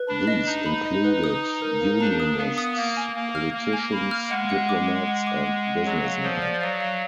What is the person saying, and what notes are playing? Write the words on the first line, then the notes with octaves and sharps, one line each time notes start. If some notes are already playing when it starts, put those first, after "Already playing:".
These included unionists, politicians, diplomats, and businessmen.
Already playing: B4
D4 B5
D#5
D#4 D#5
B5
D#5
B4
D#6
D#6
A#4
F5
D4 A#5
D#6
B3 F5
D#6
A#3 F5
G#5
A#3 G#5
F6
A#3 F5
G#5
B5
F6
G#3 F#5
F#5
D6
F#5
F#5
D6
F#5
F#5
F#3 G#4
F5
F3 D5
D5
F#3 F5
F5